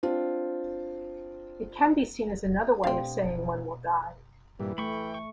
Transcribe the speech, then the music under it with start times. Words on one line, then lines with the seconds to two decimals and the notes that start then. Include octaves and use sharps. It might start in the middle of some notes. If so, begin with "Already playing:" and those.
It can be seen as another way of saying one will die.
0.03 C4 D4 F4
2.84 B2 A3 C4 D4 G4 F5
4.60 G2 A#2 E3 G3
4.78 A3 G5 B5 C#6
5.14 C#6